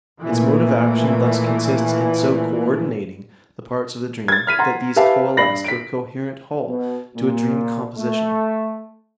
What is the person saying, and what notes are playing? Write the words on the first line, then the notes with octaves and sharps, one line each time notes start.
Its mode of action thus consists in so cooerdinating the parts of the dream that these coalesce to a coherent whole, to a dream composition.
A#2 E3 A3
G#6 A6
F6 B6 D#7
F#5 A#5 C6
G4 B4 E5 F5 A5
G2 D4 B5 A#6 C7 F#7
B6 D7
B2
A#2
A3